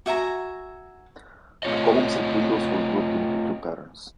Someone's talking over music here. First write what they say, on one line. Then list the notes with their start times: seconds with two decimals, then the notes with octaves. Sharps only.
The columns of windows are grouped into two patterns.
0.06 F#4 E5 G#5 A#5
1.63 A3 C4 F4 C#5 D#5